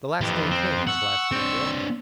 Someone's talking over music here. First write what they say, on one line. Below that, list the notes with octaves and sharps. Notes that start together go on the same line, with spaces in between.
The last day came, as last days will.
F2 E3 G4
C4
F#5 C#6 E6
C4 D4